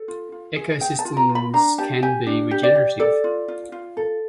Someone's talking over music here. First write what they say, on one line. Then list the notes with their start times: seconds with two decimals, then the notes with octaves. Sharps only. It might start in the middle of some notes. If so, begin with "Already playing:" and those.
Ecosystems can be regenerative.
Already playing: A4
0.08 F4
0.32 F4
0.56 G#4
0.80 G#4 G5
0.99 A5
1.05 F4
1.17 A#5
1.29 F4
1.35 B5
1.54 D4 A#5
1.78 G4 A5
2.02 G4 G#5
2.27 D4
2.51 G4
2.63 D5
2.75 G4
2.99 A4 D5
3.24 F4
3.48 F4
3.72 F4
3.97 A4